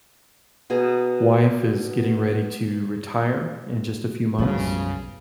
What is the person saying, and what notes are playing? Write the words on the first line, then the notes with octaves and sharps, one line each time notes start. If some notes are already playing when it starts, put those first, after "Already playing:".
wife is getting ready to retire in just a few months,
B2 G#4 A#5
B1 F#2 C#3 F3 G3 B3